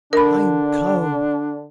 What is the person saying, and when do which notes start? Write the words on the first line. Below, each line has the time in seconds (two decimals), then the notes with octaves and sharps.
"I am cold."
0.13 D3 D4 A#4 B5